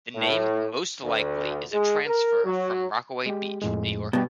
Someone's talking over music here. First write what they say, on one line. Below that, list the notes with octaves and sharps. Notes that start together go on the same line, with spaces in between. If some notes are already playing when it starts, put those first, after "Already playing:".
The name most likely is a transfer from Rockaway Beach, New York.
A2
D2
G#3
A#4
F#3
G#3 G4
F2 A2 G#3
G2 B2 G4 B4